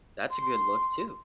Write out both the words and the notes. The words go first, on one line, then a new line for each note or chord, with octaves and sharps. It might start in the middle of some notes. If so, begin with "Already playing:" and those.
that's a good look too.
C6